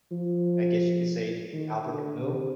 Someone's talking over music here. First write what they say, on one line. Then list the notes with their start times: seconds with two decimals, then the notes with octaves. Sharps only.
I guess you could say, named Albert Camus
0.12 F3
1.53 D#3
1.88 D3
2.24 C3